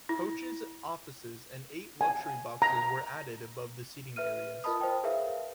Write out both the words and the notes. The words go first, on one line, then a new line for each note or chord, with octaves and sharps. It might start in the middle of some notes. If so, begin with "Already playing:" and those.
Coaches offices and eight luxury boxes were added above the seating areas.
E4
G#5
A#5
B4 E5 F6 D#7
F4 A#4 D#5 A5 B5 D#6
C5 D#5 G5 A5
G#4 A#4 B4 E5 F5